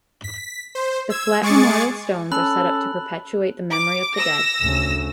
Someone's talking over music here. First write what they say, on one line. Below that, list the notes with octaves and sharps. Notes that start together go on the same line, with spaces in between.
The flat memorial stones are set up to perpetuate the memory of the dead.
B6
C5
E6 G#6
G#3 G#4 C#6 D6 A6 C#7
C#4 A4 B5 F#6 F#7
D6
E6 A#6
D2 C#3